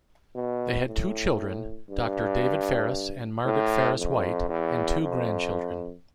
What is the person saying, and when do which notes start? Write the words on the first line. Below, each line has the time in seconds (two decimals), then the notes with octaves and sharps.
They had two children, Doctor David Ferriss and Margaret Ferriss White, and two grandchildren.
0.35 B2
0.87 A2
1.89 G2
3.45 A2
3.98 F2
4.49 E2
5.00 F2